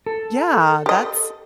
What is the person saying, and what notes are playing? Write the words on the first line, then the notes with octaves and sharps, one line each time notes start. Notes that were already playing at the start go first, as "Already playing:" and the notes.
Yeah, that's
A4
G4 D#5